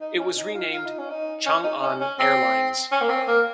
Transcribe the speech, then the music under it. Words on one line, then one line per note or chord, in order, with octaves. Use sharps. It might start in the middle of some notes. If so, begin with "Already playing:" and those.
It was renamed "Chang'an Airlines".
D#4
C#4
D#4
F4
F4
D#4
C#4
D#4
C#4
D#4
C#4
C#4
C4
C#4
A#3
C4
A#3